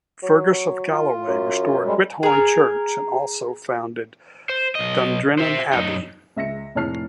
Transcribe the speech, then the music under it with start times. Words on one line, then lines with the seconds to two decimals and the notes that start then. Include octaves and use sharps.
Fergus of Galloway restored Whithorn church and also founded Dundrennan Abbey.
0.23 F#3
0.91 F4
1.28 F#2
1.85 G3 G#3
2.23 G#4 A#4
4.49 C5
4.75 B1 D#5
5.39 C5 E5
5.73 F#2 D#4
6.36 C#2 E5 A#6 C#7
6.75 F1 A2 C#5 A5 F6 C7